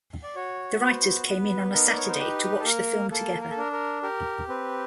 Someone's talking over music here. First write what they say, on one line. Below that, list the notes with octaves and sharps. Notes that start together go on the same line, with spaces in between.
The writers came in on a Saturday to watch the film together.
D5
F#4 C#5
B3 C5
B3 B4
D#4 A#4
D5
C#5
C5
G4 B4
A4
A#3 A#4
A#3 A4
A#4
A4
D4 A#4
A#4
G4 A#4
C4 B4